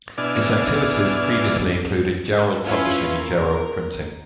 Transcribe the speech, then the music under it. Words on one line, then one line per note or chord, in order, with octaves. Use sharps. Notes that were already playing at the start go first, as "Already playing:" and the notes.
Its activities previously included Jarrold Publishing and Jarrold Printing.
B2 D4 E4 D5 G#5 F6
C#4 E4 F4 B4
A#4